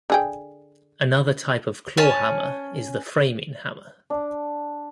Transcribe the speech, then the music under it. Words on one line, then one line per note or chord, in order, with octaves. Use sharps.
Another type of claw hammer is the framing hammer.
D3 G#4 G5
C#4 C#5 G#5 A5
D4